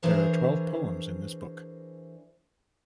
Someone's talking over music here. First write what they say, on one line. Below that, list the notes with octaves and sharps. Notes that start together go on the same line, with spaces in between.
There are twelve poems in this book.
E3 D4 G#4 A#4 C5 C#5